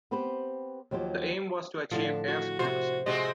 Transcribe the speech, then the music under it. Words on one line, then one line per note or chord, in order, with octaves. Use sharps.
The aim was to achieve air supremacy.
B3 C4 G4 B4 C5
D#2 F3 F#3 G4 C5
A2 D3 F3 F4
D4
F#4
C3 F#4 C5
C3 G#3 C4 F#4 D#5